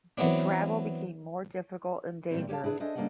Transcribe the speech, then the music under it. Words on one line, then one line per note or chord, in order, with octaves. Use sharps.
The travel became more difficult and dangerous.
E3 F#3 B3 C4 D4
A#2 D#3 E3 F#3 G3 C4
G4 C#5 D5 F5 A5
D4 E4 G#4 A#4 B4
D4 A4 C5 D#5 E5 G#5
C#3 G3 A#3 D4 D#5 F#5